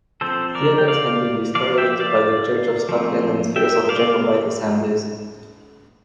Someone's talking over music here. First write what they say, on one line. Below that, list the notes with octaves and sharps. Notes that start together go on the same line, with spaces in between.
Theatres had been discouraged by the Church of Scotland and fears of Jacobite assemblies.
F3 C4 A4 C5
A#4 D5
G5
D5 F5
F3 A#3 D5 F5
E5 G5
D5 F5
F3 A3 C4
E5 G5
D5 F5